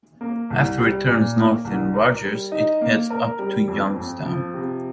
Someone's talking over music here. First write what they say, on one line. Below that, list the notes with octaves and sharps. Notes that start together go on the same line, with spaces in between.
After it turns north in Rogers, it heads up to Youngstown.
A#3
C2
G3
A#2
A#3
C2
A#4
G3
D#4
A#3
A#4
G3
F2
F2
F3
C3